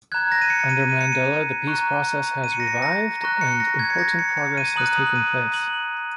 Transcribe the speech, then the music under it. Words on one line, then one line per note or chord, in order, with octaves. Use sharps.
Under Mandela the peace process has revived and important progress has taken place.
A#5 F#6 G#6
A#6
D#7
C#7
D#7
D#7
C#7
D#7
A#5 C#6 F#6
D#7
C#7
A#6
C#7
A#6
A#5 C#6 F#6 A#6
C#7
A#6
G#6
C#7
A#6
C#7
C#7
D#7
A#5 D#6 F#6 F#7
F#7
D#7
F#7